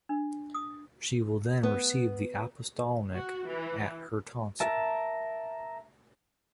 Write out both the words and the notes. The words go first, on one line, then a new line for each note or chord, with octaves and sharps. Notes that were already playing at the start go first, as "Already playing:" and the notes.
She will then receive the apostolnik at her tonsure.
D4
D#6
B3
F#4
E3
A#4 E5 A5